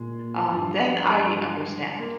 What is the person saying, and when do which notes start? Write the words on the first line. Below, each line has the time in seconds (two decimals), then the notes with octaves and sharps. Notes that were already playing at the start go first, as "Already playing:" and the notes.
um, then I understand.
Already playing: A#2 G#3
0.52 G2 F3
1.26 G#3
1.99 A#3